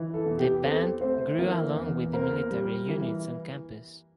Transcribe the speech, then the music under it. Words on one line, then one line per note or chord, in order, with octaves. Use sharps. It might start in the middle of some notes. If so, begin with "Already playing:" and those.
The band grew along with the military units on campus.
Already playing: E3
A4
E2
G4
C4 A4
A3 C4 C5
E3 A#3 A#4
E2
A#3 C4 A#4
G3
E3